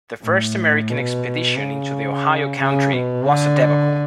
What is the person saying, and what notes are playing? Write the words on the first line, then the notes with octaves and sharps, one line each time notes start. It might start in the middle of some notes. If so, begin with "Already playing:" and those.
The first American expedition into the Ohio Country was a debacle.
A2
B2
C#3
C#3
B2
D3